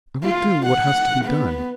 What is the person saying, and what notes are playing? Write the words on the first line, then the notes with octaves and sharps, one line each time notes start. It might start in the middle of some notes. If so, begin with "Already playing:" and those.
"I will do what has to be done."
F4
F#5
B3